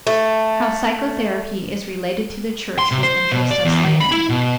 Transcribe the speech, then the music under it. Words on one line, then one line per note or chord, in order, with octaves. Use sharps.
How psychotherapy is related to the church will interest us later.
A3
C6
C3
C5
B2
D5
E2
D#3
B5
E4
B2